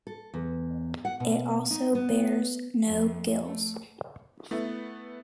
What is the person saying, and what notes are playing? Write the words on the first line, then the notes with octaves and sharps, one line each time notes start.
It also bears no gills.
A4
E2
F#5
B2
D#4
B3
F2
A3
A3 B3 E4